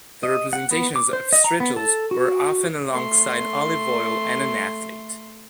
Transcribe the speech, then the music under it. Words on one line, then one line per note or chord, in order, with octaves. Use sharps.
The representations of strigils were often alongside olive oil and an athlete.
D#5
F#5
B3
D6
C5
D#5
A#5
B3
A4
F#4
A3 C6